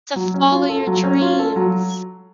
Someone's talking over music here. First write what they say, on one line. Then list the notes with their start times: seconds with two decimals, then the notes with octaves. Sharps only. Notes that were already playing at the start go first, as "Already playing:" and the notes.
To follow your dreams.
0.16 F#3
0.34 C#4
0.51 F4
0.69 A4
0.87 F#3
1.04 C#4
1.21 F4
1.39 A4
1.56 F#3